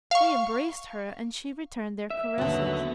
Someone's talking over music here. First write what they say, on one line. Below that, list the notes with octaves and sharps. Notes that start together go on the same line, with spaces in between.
They embraced her and she returned their caresses.
F5 C#6
E5
D#2 D3 F#3 B3